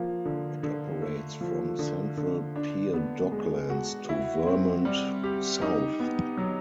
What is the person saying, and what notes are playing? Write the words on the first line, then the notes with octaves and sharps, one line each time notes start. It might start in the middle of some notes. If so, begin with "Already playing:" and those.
It operates from Central Pier Docklands to Vermont South.
Already playing: F3 A#3
D3
D3
A3
F3
D3
D3
D4
B3
G#3
F#4
E4
C4
G3
G4
D#4
B3
F#3